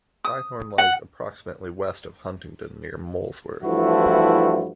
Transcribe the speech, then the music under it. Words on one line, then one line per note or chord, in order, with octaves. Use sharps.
Bythorn lies approximately west of Huntingdon near Molesworth.
D#6
F#5
G2 E3 F3 A3 E4 F#4